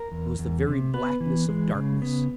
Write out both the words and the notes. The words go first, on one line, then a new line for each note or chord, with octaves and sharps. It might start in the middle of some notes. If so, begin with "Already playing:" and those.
It was the very blackness of darkness.
Already playing: A#4
E2
E2
C3
B3 B4
E3
G#3
C#3
B3